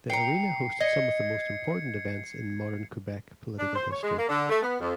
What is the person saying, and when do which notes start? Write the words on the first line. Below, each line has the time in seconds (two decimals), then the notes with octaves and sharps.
The arena hosted some of the most important events in modern Quebec political history.
0.10 G5 A#5 C7 C#7
0.81 D#5 G#6 C#7
3.58 D4
3.75 C5
3.91 C#5
4.03 G#3
4.16 A#3
4.28 D3
4.49 A3
4.63 B3
4.80 F2